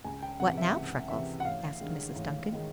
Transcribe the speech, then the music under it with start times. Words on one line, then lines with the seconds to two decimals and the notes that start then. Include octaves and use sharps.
"What now, Freckles?" asked Mrs. Duncan.
0.04 C#2 G#5
0.22 G5
0.40 C3 F#5
0.43 E3
0.58 E5
0.75 C#2
1.10 C3 E3 E5
1.40 F#5
1.45 A1 F5
1.81 G2 D#3 G#3
2.16 A1
2.53 D#3 G#3